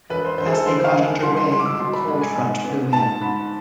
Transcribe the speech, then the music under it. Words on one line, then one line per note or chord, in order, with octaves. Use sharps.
As they got underway, a cold front blew in.
E1 B4
C5
E1 C5
G#4
A4
D3 C5
F5
D3 G#5
C2 C6
C6
G#3 C6
D6
E6
B2 C6
B5
G#3 B5
G#5
G#2
B3
G#2 A5
G#2 B5